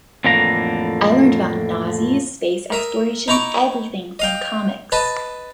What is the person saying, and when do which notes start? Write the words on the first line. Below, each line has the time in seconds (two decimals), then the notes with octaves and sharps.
I learned about Nazis, space exploration, everything from comics.
0.25 F2 A2 D3 E3 A#3 A#5
2.72 A#4 E5 D#6
3.28 D#4 E4 A#5 C#6 D6
4.19 D#5 F5 G5
4.92 B4 D#5 A5